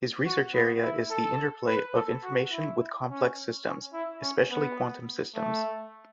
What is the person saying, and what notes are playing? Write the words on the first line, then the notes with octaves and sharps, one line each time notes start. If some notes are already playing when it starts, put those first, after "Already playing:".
His research area is the interplay of information with complex systems, especially quantum systems.
F#4
B3
E4
A4
B4
A4
F#4
E4
C#4
C#4
E4
C#4
B3
A3